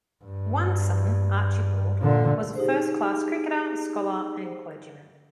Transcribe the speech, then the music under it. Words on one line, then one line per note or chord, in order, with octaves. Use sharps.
One son, Archibald, was a first-class cricketer, scholar and clergyman.
G2
A#2 D3
D#4 G4 G#4 C5